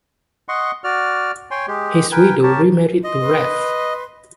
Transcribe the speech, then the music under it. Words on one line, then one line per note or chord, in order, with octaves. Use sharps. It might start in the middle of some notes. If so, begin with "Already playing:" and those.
His widow remarried to Rev.
D#5 F#5 C6 C#6
F#4 D5 F6
C#5 G5 G#5 C6
G#3 G4
A#4 B4 G5 G#5
G4 A#4 C#5 A5
D#5 C6
B4 C6